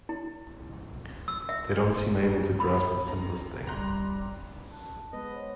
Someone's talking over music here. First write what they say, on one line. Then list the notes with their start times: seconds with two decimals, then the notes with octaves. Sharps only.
They don't seem able to grasp the simplest thing.
0.09 E4
1.28 E6
1.49 E5
2.60 B5
3.07 F2 A#5
3.67 G3 A#5 C6 F#6
4.72 A5 F#6
5.13 G#3 B3 B4 D#5
5.32 C5 C#5